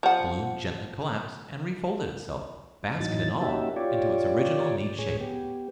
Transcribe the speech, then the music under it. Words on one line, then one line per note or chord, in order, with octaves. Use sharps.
The balloon gently collapsed and refolded itself, basket and all, into its original neat shape.
F3 F#5
A2 E3 F#3 D#4 A6
A#3 C#4 D#4 F#4 G4 E5
F4 G4 C#5 D5
A2 G#4 C#5
B3 G4